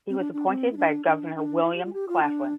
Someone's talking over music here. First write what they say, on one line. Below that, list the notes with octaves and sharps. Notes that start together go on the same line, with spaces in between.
He was appointed by Governor William Claflin.
C4
D4
D4
C4
E4
D4
D4
D4
E4
G4
F4
G4
F4
D4